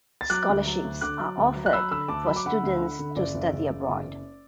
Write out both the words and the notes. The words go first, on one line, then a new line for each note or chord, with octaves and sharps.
Scholarships are offered for students to study abroad.
A6
F#3 D6 F#6
D2
F#3
D2
D3 D6 F#6
F#3
D2
F#3
F#6
F#3 B5 E6
D3 B5 E6
D2 A5 D6
F#3 B5
D6
D3 F#5 B5
D2
D3
D3
F#1 D5
F#1
F#1
F#1
F#1
F#1